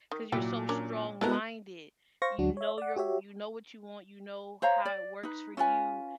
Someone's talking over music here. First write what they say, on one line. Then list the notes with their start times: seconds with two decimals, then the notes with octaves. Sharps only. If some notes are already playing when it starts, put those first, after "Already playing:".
'cause you're so strong-minded, you know you're w you know what you want, you know how it works for you
0.11 D#3
0.32 A#2 F#3 E4 G5
0.69 C#4 D4 A#4
1.21 G#3 B3 E4 F#4 A4 A#4
2.22 C5 F5 C#6 A#6
2.38 D2 F#3 D4 F#4
2.57 C#5 E5
2.78 D5 F#5
2.96 F#4 G4 C#5 E5
4.62 C5 C#5 F5 A#5
4.85 D5
5.23 D#4 B4
5.57 C#4 F4 B4 G#5